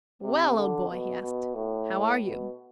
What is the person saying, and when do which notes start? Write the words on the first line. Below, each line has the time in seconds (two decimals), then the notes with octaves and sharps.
"Well, old boy!" he asked, "how are you?"
0.23 C3
0.56 D3
0.90 B2
1.22 B2
1.55 A2
2.21 B2